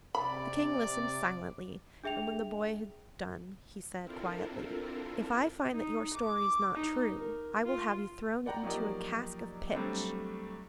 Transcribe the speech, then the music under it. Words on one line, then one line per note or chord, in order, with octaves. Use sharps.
The king listened silently, and when the boy had done, he said quietly: 'If I find that your story is not true I will have you thrown into a cask of pitch.'
C3 D5 B5
D4 G#4 E5 G5 F7
C4 D4 E4 F4 A4 A#4
D#4
D6
D#4
A#4
F4
D5 F#5 G5 A#5
F3 F#3 A#3 D#4 G4 D5
F#3 G3 A3 C4 D4